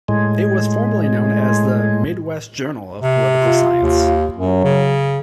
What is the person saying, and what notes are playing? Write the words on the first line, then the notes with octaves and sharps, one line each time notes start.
It was formerly known as the "Midwest Journal of Political Science".
A2 G#3
C3
F4
D#2
F#2 F#3
C#3